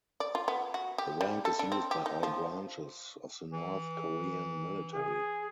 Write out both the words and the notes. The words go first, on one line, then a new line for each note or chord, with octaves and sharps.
The rank is used by all branches of the North Korean military.
D5
F4
B3
F#4
G4
G3
A4
D4
C4
G4
D#4
F3
E3
G#4